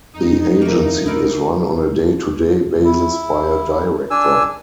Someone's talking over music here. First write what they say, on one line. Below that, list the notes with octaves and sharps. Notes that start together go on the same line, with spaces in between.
The agency is run on a day-to-day basis by a Director.
F2 D#4
A3 A#3
E4 A#4 D5
E4
D4 G#5 E6